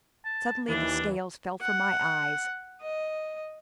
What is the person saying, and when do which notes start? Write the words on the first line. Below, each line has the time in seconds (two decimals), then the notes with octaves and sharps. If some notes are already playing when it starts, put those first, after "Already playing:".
Suddenly the scales fell from my eyes.
0.25 A5
0.67 D#2 E3 D4
1.61 F#5
2.81 D#5